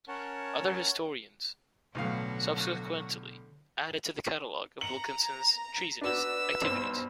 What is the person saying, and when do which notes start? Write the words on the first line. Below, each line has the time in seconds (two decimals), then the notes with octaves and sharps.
Other historians subsequently added to the catalog of Wilkinson's treasonous activities.
0.08 C#4 A#4 C#5 F#5 A5
1.95 B1 A2 D3 F#3 F#4 F5
4.81 A#5 C#7 F#7
6.01 D4 F#4 B4 E6
6.63 B1 G2 C5